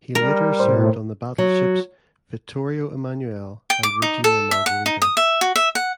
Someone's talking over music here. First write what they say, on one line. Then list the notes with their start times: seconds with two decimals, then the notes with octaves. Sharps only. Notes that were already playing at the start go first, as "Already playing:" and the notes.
He later served on the battleships "Vittorio Emanuele" and "Regina Margherita".
0.15 G3 A#4
0.60 A2 C5
1.38 F#3
3.70 G5
3.83 D6
4.02 D#4
4.24 A4
4.51 E5
4.66 F#5
4.86 D#4
5.02 D#6
5.17 E5
5.41 F#4
5.56 E5
5.75 F#5